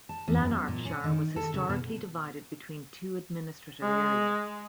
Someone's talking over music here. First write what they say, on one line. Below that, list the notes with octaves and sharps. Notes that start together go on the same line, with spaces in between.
Lanarkshire was historically divided between two administrative areas.
A5
E2
F#2
A#2
C#4
D#3
A4
C#3
B2
G#3